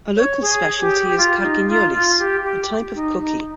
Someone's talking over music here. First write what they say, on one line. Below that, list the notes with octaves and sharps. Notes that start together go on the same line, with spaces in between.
A local specialty is "carquinyolis", a type of cookie.
C#5
G#4
G4
G4
F4
D#4
F4
F4
G4
G4
D#4
D#4